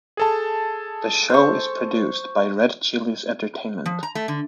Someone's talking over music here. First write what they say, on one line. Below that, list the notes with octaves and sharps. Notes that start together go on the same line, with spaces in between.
The show is produced by Red Chilies Entertainment.
G#4 A4 A5
C5 C#6
F3
A#5
A3
D3